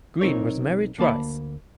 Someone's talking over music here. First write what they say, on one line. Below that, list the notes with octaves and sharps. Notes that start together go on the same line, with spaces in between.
Green was married twice.
B1 C4 D#4 A#4 C#5
D2 A#3 A5 B5